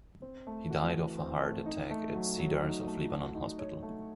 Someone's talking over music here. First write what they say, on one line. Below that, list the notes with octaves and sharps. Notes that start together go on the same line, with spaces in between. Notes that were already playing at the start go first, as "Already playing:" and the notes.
He died of a heart attack at Cedars of Lebanon Hospital.
C4
A3
F#4
E3
C4
A3
D#4
A3
F#3
F#3
D#4
A3
F#4
D#4
C#5
A3